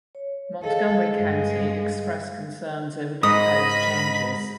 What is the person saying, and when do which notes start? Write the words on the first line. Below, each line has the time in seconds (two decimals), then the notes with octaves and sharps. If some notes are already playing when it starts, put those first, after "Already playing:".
Montgomery County expressed concerns over the proposed changes.
0.15 C#5
0.64 G#4 A4 D#5 F5
1.14 G2 G#3
3.23 G#2 A#4 D#5 B5 D#6